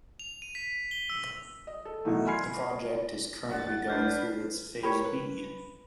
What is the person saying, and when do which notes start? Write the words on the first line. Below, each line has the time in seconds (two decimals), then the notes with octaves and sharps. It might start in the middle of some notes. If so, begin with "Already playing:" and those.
The project is currently going through its Phase B.
0.20 F7
0.42 D#7
0.55 B6
0.91 G7
1.10 E6
1.67 D#5
1.85 A4
2.05 B2 D#3 E3 F#3 A3
2.26 G#5 B5 C6 F6 G#6 C7
3.49 A1 G2 F#5 A6
3.88 D4 B4 F6 G6 C7
4.83 G4 A#4 C#5 B5
5.04 B4